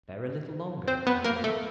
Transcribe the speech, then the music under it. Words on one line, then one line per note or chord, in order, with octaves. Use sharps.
Bear a little longer, Iadilla.
C4 C5
B3 B4
A#3 A#4
A3 A4